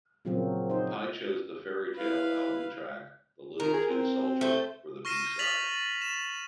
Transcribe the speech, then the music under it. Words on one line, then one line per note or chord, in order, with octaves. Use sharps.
Pye chose the "Fairytale" album track "The Little Tin Soldier" for the b-side.
A#2 C#3 F3 F#3 A#3 C4
D#4 C5
E4 B4 F5
D#3 A#4
G#4
C4
A3 C5
C#6 F6 A#6 C7 D#7 E7
A6 B6 F7 F#7
E7